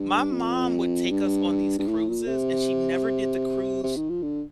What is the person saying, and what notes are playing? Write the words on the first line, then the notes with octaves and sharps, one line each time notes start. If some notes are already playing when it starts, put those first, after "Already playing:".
my mom would take us on these cruises and she never did the cruise,
Already playing: G2
F2
G2
G2
A2
A#2
C3
C3
D#3
F3
D3